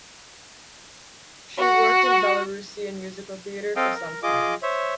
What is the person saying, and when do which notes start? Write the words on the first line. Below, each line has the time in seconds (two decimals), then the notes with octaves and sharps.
She worked in Belarusian Musical Theatre for some time.
1.58 F#4 F#5
3.76 C4 A4 D#5 F5 G5
3.95 A#4
4.23 F4 G#4 D#5 D6
4.63 C5 C#5 E5